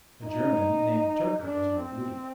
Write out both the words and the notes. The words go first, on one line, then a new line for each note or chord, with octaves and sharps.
A German, named Tyrker, was with Leif.
D#4
D4
C4